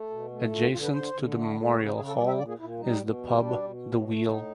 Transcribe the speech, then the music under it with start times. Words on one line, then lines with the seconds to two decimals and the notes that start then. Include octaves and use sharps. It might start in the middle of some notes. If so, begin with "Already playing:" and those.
Adjacent to the Memorial Hall is the pub The Wheel.
Already playing: A3
0.10 B2
0.31 A3
0.51 D3 F4
0.62 F4
0.72 D3 F4
0.83 B4
0.93 D3 C5
1.13 D3
1.34 A3
1.56 A3
1.75 C#3 C#5
1.85 C5
1.96 C#3 G#4
2.07 A4
2.17 G3 D5
2.27 E5
2.38 A#2 D5
2.48 G#4
2.59 A#2 E4
2.79 G3 D#4
3.00 B2
3.21 G3
3.41 B2 D4
3.62 B2
3.83 A2
4.04 A3
4.24 A2 D#4